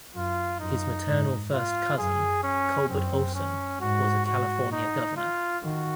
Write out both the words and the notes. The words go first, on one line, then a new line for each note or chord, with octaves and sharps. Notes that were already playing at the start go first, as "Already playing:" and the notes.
His maternal first cousin Culbert Olson was a California governor.
F#2 F4
F#2 D#4
G#2
F4
F#2 G#4
C#4
F#2 C4
C#4
G#2 F#4
F#4
D#4
F4
D#3 F#4